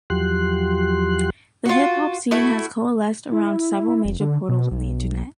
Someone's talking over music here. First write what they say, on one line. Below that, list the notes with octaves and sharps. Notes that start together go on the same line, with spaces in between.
The hip hop scene has coalesced around several major portals on the internet.
E2 F3 F#3 G4 C6 F#6
F4 F#4
A3 E4 F#4
E4
F1
D3
B2
B1